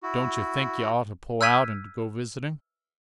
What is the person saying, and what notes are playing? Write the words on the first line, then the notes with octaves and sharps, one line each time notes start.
"Don't yuh think yuh ought to pull out and go visiting?"
E4 F#4
E6 F6 G6 G#6 B6 D#7